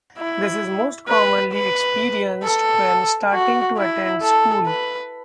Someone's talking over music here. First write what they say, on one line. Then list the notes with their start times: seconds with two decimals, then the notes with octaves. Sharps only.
This is most commonly experienced when starting to attend school.
0.18 E4
1.08 B4
1.53 B4
2.43 A4
3.33 F#4
3.77 E4
4.22 A4
4.67 B4